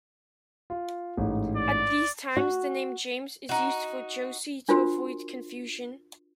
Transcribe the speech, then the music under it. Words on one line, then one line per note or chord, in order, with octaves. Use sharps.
At these times, the name "James" is used for Josie to avoid confusion.
F4
A1 G#2
D5
F#4
D#4 F#4
D4 F4 F#4 A#4 C5 C6